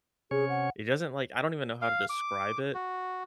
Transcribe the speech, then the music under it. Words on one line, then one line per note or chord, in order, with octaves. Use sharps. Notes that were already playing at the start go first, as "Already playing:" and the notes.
it doesn't like, I don't even know how to describe it,
C3 C#4 G#4 C#5
F#5
F5
D6
F#4